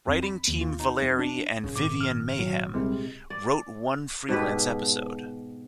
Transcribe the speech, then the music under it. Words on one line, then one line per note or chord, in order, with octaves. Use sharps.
Writing team Valerie and Vivian Mayhew wrote one freelance episode.
F2
B5
D#2
F4
D#4
F2
D4
A#2 C#3
G#1 D6
F6
F#3
C2 C3 G#3
D5
G#2 B2 G4 B4